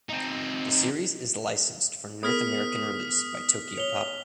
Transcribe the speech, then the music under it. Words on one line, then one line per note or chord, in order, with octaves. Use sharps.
The series is licensed for North American release by Tokyopop.
C4 D#4
B3 G#4 A#4 D#6 F6 B6
C#5 F7 G7